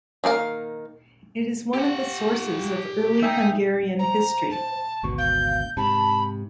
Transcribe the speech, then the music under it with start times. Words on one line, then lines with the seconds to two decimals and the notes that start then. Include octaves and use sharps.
It is one of the sources of early Hungarian history.
0.24 D#3 A#3 A#4 F5
1.74 G4 F#5
3.23 D#4 D#5 E5 G5 G#5
3.99 C5 A#5
4.50 A5
5.03 G#1 D2 B2 C#6
5.18 F5 G6
5.77 G#2 C3 A5 B5